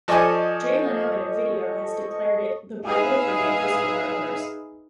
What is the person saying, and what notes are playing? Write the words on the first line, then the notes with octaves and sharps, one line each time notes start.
Jay Leno in a video has declared it "the bible for Yenko Stinger owners".
F3 A4 D5 D#5 G#5 C#6
D#4 G#4 B4 E5 F5